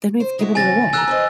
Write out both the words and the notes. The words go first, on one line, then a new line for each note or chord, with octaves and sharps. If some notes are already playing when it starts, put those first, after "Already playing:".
then I've given it away.
C5
G#3 E4 F#4
C3 E3 C#4 G#5 A6 A#6
E3 A4 G#5 A#5 E6 F#6
B4 C5 D#5